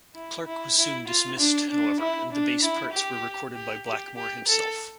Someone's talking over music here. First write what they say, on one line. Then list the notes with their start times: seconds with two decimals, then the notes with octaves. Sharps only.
Clarke was soon dismissed, however, and the bass parts were recorded by Blackmore himself.
0.15 E4
0.46 E4
0.77 E4
1.08 F4
1.39 D4
1.70 D4
2.01 E4
2.32 D4
2.63 E4
2.93 G4
3.55 G4
3.87 G4
4.17 G4
4.48 A4